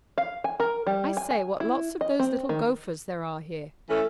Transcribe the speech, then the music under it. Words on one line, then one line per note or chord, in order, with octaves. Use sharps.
I say, what lots of those little gophers there are here.
F5
G#5
A#4
G3
G#5
G#5
E4
D#5
C4
D#3
E3 A3 C#4 A4